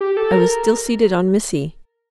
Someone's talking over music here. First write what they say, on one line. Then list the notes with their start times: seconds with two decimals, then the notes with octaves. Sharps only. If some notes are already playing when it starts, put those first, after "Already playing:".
I was still seated on Missy.
0.01 G4
0.17 A4
0.32 A#4